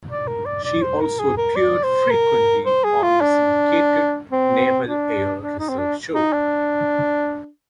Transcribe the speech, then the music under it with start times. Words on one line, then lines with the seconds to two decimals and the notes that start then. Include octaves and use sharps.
She also appeared frequently on the syndicated "Naval Air Reserve Show".
0.09 D5
0.28 A#4
0.46 D5
0.64 D5
0.82 C5
1.01 A#4
1.19 G#4
1.37 A#4
1.56 D5
1.83 C5
2.11 A#4
2.66 C5
2.84 G#4
3.03 F4
3.21 D4
4.31 C4
4.86 D4
5.41 D4
5.59 D#4
5.69 C4
5.78 D4
6.14 D#4
6.33 D4